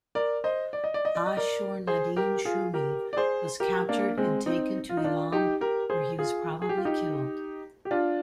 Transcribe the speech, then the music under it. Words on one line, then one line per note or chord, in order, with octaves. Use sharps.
Ashur-nadin-shumi was captured and taken to Elam where he was probably killed.
A#4 D5
C5 D#5
D5
D#5
D5
D#5
D5
D#5
A#4 D5
G#4 C5
G4 A#4
F4 G#4
G4 A#4
D5
G#4 C5
G4 A#4
A#3 D4
G#3 C4
C4 D#4
F4
D#4
D4 F4
D#4 G4
G4 A#4
G#4 C5
F4 G#4
G#4
G4
F4
D#4 G4
G4
D4 F4